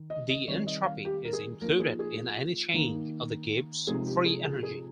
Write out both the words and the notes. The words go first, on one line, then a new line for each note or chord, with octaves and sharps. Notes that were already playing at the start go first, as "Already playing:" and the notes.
The entropy is included in any change of the Gibbs free energy.
Already playing: D#3
D#5
D#5
D#3 G3 C4 D#4 C#5
D#5
F5
G4
A#4
G#4
F3 A#3 D#4 A#4
G#4
G#4
D#3 A#3 D#4
C3 F3 G#3 C4 D#4 G#4
G4
G#4
G#4
G#4